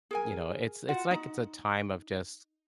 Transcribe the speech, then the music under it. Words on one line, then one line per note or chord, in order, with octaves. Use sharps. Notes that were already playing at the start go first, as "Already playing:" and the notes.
you know, it's it's like it's a time of just
G#4 A#4 G#5
F4 F#4 F#5
D#4